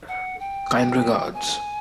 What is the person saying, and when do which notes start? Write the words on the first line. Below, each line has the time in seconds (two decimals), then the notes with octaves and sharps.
Kind regards.
0.08 F#5
0.40 G5
1.34 G#5